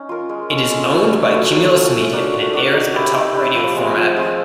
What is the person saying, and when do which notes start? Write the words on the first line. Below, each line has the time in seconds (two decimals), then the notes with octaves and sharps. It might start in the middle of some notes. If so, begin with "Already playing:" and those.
It is owned by Cumulus Media and it airs a talk radio format.
Already playing: C#4 D#4
0.09 F4 A#4
0.29 G#3
0.50 C#4 F4 A4
0.70 G#3
0.90 C#4 F4 A4
1.11 F#3
1.31 A3 C#4 F4
1.51 F#3
1.72 A3 C#4 F4
1.92 A3
2.13 D4 F#4 A#4
2.33 A3
2.53 D4 F#4 A#4
2.74 D#4
2.94 G4 B4 E5
3.14 D#4
3.35 G4 B4 E5
3.55 F3
3.75 G#3 C4 F4
3.96 F3
4.16 G#3 C4 F4